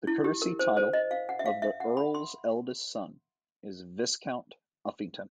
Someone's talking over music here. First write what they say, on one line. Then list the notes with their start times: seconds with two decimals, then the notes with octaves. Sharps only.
The courtesy title of the Earl's eldest son is Viscount Uffington.
0.07 E4
0.24 G4
0.42 A#4
0.59 C5
0.77 C5
0.93 D#5
1.11 F5
1.29 F#5
1.39 E5
1.46 F5
1.62 E5
1.80 F#5
1.97 B5
2.15 C6